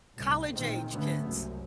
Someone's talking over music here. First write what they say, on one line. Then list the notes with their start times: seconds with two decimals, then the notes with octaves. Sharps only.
college-age kids.
0.16 C2 A2
0.53 A1 A#2 D#3 G#3 C4
0.90 E2 G#2 D3 A3 B3 C#4
1.22 F#1 C2 F#2